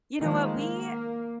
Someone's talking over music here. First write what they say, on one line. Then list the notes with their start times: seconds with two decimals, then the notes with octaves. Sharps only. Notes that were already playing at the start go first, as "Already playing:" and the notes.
You know what? We,
0.20 D#3 F3 G#3 A#3
0.57 A#3